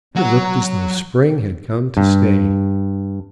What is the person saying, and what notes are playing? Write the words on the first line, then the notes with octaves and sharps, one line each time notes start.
It looked as though spring had come to stay.
F#3 F#5
G2